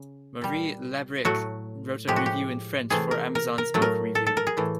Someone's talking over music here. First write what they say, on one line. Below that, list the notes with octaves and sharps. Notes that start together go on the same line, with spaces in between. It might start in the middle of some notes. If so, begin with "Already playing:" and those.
Marie Labrecque wrote a review in French for Amazon's book review.
Already playing: C#3
A#2 G3
A2 F#3 A3 F#4
A2 F3 G#3 G4
F#4
G4
C3 E3 A3 G#4
A#4
A#4
A#4
A2 F#3 A3
A#4
A4
A4
A#4
G#4
A2 E3 A3